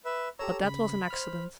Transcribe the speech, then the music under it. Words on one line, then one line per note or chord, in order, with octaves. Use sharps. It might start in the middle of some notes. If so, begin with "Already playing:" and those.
But that was an accident.
B4 E5
G4 A4 C#5 A#5 E6
C#3 B5
C5 F6